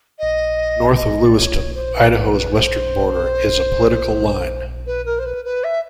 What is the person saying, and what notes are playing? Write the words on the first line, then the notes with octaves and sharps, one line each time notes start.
North of Lewiston, Idaho's western border is a political line.
D#5
D#5
D5
C#5
C5
B4
B4
B4
C5
B4
A#4
C5
B4
B4
E5